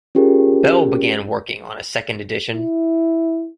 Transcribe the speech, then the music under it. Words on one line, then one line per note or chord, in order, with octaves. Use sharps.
Bell began working on a second edition.
C#4 F4 G4 G#4 A#4
E4